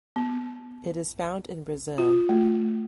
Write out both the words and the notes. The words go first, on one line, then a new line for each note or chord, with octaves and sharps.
It is found in Brazil.
B3
F4
A3